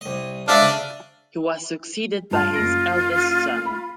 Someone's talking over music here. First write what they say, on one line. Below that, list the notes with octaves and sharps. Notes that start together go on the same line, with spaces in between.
He was succeeded by his eldest son.
C2 D#5
G#2 D4 E5 F5
C#3
G2 F4 A5
F#1 A#6 D7
B5